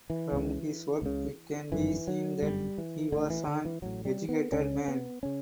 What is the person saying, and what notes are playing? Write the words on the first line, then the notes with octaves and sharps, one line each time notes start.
From his work it can be seen that he was an educated man.
E3
C#2 C#3
C#2 C#3
G1 F#2 D3 E3
F#3
G1 F#2 D3 G3
E3
A1 A2 D3
E3
D3
E3
A1 A2 F#3
G3
B3
C#2 C#3 C#4
B3
C#3 C#4